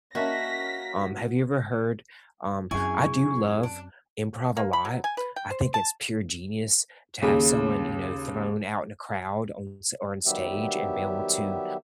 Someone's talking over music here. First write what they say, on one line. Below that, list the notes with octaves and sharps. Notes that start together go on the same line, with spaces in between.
Um, have you ever heard Um, I do love improv a lot, I think it's pure genius to have someone, you know, thrown out in a crowd on s or on stage and be able to,
A#3 C#4 F#4 D#5 E5 A5 A#6 B6
F#2 C4 E4 G#4 G#5 C#6
D4
A#3
B5
F#3
G#5
B4
G5
C5
A5
D#2 C#3
D#3 F#3 G3 B3 G4 E5